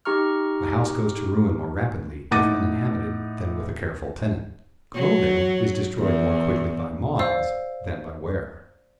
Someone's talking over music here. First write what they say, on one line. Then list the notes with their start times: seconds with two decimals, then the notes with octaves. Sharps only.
A house goes to ruin more rapidly if uninhabited than with a careful tenant; clothing is destroyed more quickly by moths than by wear.
0.05 D#4 G4 A#5 C#6 F6
2.31 A2 D#4 F#5 D6 A6 D#7
4.95 F#3
5.99 E2
7.19 C5 D5 F5 E6